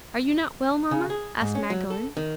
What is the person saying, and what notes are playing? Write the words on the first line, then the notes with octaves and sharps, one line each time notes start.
"Are you not well, mamma?" asked Magdalen.
C#3
G#4
G#2
C#4
F#3
A4
D#3